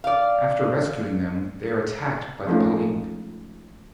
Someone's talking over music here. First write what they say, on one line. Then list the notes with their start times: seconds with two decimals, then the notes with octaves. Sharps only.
After rescuing them, they are attacked by the Paling.
0.04 D5 F5
2.47 F3 G#3 A3 C#4 D#4 F4